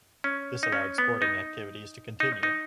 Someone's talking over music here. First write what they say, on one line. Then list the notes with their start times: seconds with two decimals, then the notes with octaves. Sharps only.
This allowed sporting activities to continue.
0.24 C#4
0.63 D#4
0.72 C#4
0.98 B3
1.22 D#4
2.20 D#4
2.43 D#4